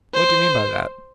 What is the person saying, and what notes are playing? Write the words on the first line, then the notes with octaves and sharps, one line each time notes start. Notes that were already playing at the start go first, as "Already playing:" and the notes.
"What do you mean by that?"
C5